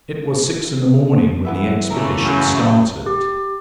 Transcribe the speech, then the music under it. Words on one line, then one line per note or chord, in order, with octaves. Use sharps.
It was six in the morning when the expedition started.
E3 B3 E5
C#3 E3 A3 A4 A#4
F#2
G4